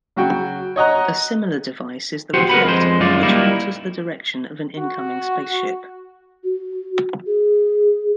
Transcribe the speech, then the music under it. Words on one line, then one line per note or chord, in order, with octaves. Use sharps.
A similar device is the reflector, which alters the direction of an incoming spaceship.
C#3 F#3 F#4 G5
C#5 D#5 F#5 A#5
F#4 G4 C5 F#5
A#4 B4 F#5 B5
F2 G#3 C5
F#2 G#3 F4 D5
G3 A#3 D#4 E4
F#4
F#4
G#4